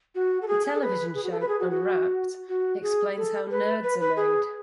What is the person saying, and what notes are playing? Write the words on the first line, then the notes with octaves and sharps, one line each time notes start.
The television show Unwrapped explains how Nerds are made.
F#4
A4
G#4
G#4
A4
B4
G#4
F#4
A4
B4
G#4
F#4
F#4
F#4
G#4
A4
B4
B4
B4
G#4